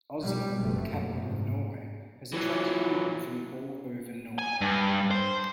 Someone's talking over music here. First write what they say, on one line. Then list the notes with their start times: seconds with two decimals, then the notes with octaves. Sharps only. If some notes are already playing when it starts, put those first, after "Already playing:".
Oslo, the capital of Norway, has attracted people from all over Norway.
0.18 B2 G3
0.57 F#1 F2 B2 A3
1.12 G#2 C3
2.34 E3 F#3
4.38 G#5
4.61 G2
5.11 C5